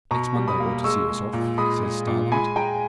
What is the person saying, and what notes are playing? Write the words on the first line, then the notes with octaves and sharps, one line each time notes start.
'Next Monday ought to see us off,' says Starlight.
B2 A#5 C#6
G3
B5 D#6
A#3
G#3 C#6 E6
G#3
A#2
G#3 B5 D#6
G#3
A#2
G#3 G#5 B5
G#3 G5 A#5